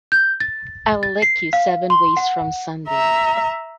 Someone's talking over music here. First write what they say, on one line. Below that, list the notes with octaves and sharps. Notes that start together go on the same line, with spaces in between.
I'll lick you seven ways from Sunday.
G6
A6
A6
C7
F5
C6
F#5
E5 A#5